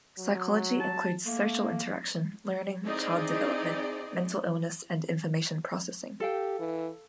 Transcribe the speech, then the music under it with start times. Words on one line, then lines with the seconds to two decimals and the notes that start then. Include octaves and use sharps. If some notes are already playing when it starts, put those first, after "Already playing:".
Psychology includes social interaction, learning, child development, mental illness and information processing.
0.18 F#3
0.80 A5
1.26 A3 A#3
2.85 C4 D#4 E4 G#4 D5 D#5
6.20 G4 A4 F5 G5
6.59 E3